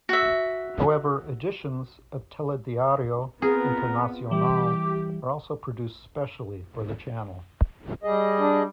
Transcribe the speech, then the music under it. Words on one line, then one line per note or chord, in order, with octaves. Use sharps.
However, editions of "Telediario Internacional" are also produced specially for the channel.
F#4 E5
B3 C4 F4 G#4 A#4
E3 G3 G4 D6
G3 G#4 D#5
D4